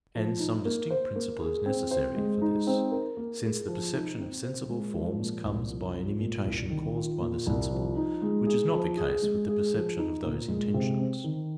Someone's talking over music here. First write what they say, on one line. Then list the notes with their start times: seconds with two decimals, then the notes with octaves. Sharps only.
And some distinct principle is necessary for this; since the perception of sensible forms comes by an immutation caused by the sensible, which is not the case with the perception of those intentions.
0.15 F3
0.39 D#4
0.65 A#3
0.90 C5
1.16 A#3
1.41 G#4
1.66 C4
1.91 C5
2.16 G#3
2.42 D#4
2.67 C4
2.92 A#4
3.17 A#3
3.42 G#4
3.68 F3
3.93 D#4
4.18 C4
4.43 C5
4.69 G#3
4.94 F3
5.19 A#2
5.44 C2
5.69 F3
5.95 F4
6.20 A#2
6.45 C2
6.70 D#3
6.96 F4
7.20 A#2
7.46 C2
7.71 F3
7.96 D#4
8.22 G#3
8.47 G#4
8.72 F3
8.97 G#4
9.22 G#3
9.48 G#4
9.73 F3
9.99 D#4
10.24 A#2
10.48 G#3
10.74 C3
10.99 C4
11.24 D#3